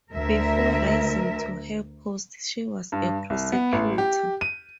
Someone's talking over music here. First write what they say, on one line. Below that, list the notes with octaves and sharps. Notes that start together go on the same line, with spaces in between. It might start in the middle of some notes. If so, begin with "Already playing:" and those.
Before rising to her post, she was a prosecutor.
D2 A#4 E5
G2
C2
B3
A1
G4
D#7